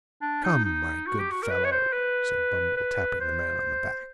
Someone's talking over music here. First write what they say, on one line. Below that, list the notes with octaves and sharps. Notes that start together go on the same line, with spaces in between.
'Come, my good fellow!' said Bumble, tapping the man on the back.
D4
D#4
D#4
F#4
G4
F#4
A#4
B4
C#5
C5
B4
B4
C5